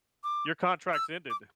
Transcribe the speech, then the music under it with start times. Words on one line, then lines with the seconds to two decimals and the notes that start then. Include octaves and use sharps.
your contract's ended.
0.24 D6
0.94 E6
1.30 D6